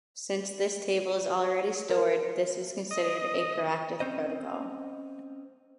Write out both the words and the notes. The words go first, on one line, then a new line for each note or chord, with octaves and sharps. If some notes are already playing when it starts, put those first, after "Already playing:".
Since this table is already stored, this is considered a proactive protocol.
A#4
D#5
C4 C#4 C5 D#5